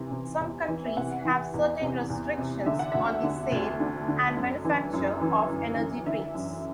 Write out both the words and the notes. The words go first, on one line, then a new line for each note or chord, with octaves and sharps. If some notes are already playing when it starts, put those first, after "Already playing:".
Some countries have certain restrictions on the sale and manufacture of energy drinks.
Already playing: C3 E3
C3
E2
E3
E5
C3 F#5
E3
E2
C3
E2
C3
D3 E5
F#5
D2 E5
D3
D2
D3
D3
F#2
E3
F#2
E3
F#2
E3
D3 E5
F#2